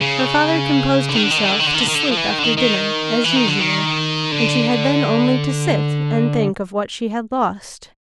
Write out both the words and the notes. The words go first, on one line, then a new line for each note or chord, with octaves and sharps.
Her father composed himself to sleep after dinner, as usual, and she had then only to sit and think of what she had lost.
C#3
D3
D#3
D3
D#3
D3
D#3
D3
D#3
D3
D#3
D3
D#3
D3
F3
E3
D#3
D3
D#3
D#3
E3
D#3
D3
D#3
D3